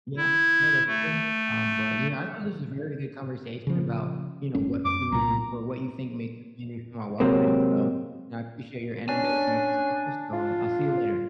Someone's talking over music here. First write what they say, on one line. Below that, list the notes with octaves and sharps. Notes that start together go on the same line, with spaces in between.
Yeah, yeah, that's true, um, but, you know, I thought this was a very good conversation about, you know, what community or what you think makes a community feel more welcoming, so, you know, I appreciate your anecdotes and your perspective, so I'll see you later.
E4
A3
C#3 F3
G1 C#4
F#2 D6
C2 A#2 A#5
C3 F#3 G#3 A#3 C4
C#4 D4 G#5
F4